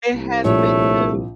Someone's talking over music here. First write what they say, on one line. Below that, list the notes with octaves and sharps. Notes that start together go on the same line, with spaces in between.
It has been, too.
C2
A#1 A3 C#5